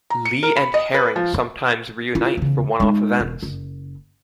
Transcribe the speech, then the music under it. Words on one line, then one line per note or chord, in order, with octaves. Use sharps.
Lee and Herring sometimes reunite for one-off events.
A#5
C#7
A#4
B5
D#5
B4
F3
E4 F4
E2 C#3
G#3 D#4
E1
F#1